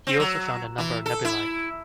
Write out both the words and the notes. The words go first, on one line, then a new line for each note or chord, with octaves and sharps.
He also found a number of nebulae.
C4
F#3
E3
A4
E4